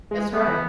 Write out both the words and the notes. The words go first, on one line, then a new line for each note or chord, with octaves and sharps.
That's right.
G#3
A3 B3
E3